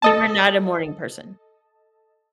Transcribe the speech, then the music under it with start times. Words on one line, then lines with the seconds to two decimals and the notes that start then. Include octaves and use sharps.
You are not a morning person?
0.02 A4 D#5 A5